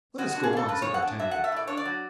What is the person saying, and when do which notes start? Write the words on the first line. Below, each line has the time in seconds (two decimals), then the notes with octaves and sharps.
"Let us go on," said D'Artagnan.
0.18 G#3 F#4
0.31 D4 F#4
0.44 G#4
0.53 C#3 A4
0.68 C#3 B4
0.82 G#3 C#5
0.94 F#5
1.02 D4
1.19 F#3 E5
1.31 A3 F#5
1.44 E5
1.52 A2 D5
1.67 D4 C#5
1.77 D5
1.85 F#3